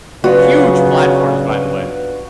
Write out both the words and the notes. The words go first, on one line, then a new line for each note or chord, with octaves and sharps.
Huge platforms, by the way.
G2 C#3 F#3 B3 F4 F#4